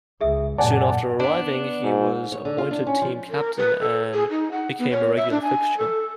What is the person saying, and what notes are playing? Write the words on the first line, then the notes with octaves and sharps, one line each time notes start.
Soon after arriving, he was appointed team captain, and became a regular fixture.
C#2 G#4 E5 D#6
F#2 A#2 D5 F#5 G#5 A5
B3 D4
G#2
C#5
D3
F4
D4
C#4
F3
A#4
B4
A4
G#4
D#4
F#5
B3
C#5
E5
D4
G#5
A4